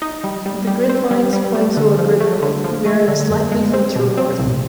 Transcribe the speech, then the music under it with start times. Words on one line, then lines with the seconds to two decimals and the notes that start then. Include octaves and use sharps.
The grid lines point to a Grid North, varying slightly from True North.
0.02 D#4
0.24 G3
0.46 G3
0.67 G3
0.89 C4
1.11 G3
1.33 G3
1.55 G3
1.77 D3
1.99 F3
2.20 A3
2.42 D3
2.64 F3
2.86 A3
3.08 D3
3.30 F#2
3.52 G#3
3.73 C4
3.96 B2
4.17 C4
4.39 C2